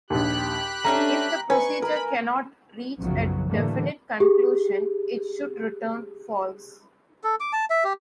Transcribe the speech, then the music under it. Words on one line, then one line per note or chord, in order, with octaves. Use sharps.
If the procedure cannot reach a definite conclusion, it should return "false".
A#1 D#2 G4 B5 F#6
A3 C#4 D4 A#5
B4 G#5 C#6
A#4 B5
B1 F#2 C#3 F3 F#3
A2 D3 E3 G3 A3 A#3
G4 G#4
A4
D6
A5
E5
G4